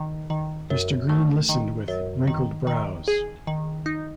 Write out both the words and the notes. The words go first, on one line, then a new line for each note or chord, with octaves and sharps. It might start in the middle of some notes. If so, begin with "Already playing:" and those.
Mr. Green listened with wrinkled brows.
Already playing: D#3
D#3
F#2
A3
D#3
F#2
D#3
D#3
G#4
D#3
D#4